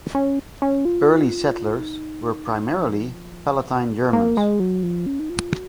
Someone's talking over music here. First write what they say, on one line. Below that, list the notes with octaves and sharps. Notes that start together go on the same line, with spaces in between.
Early settlers were primarily Palatine Germans.
C#4
C#4
F4
D#4
F3
A#2
F#3
A#3
G#3
F#3
F3
C#4
D#4
F4
F#4